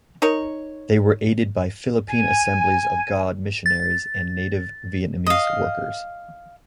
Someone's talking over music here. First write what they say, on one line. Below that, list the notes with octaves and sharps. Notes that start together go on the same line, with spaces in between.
They were aided by Philippine Assemblies of God missionaries and native Vietnamese workers.
D#4 A#4 C#5
G#5
A6
D#5 F5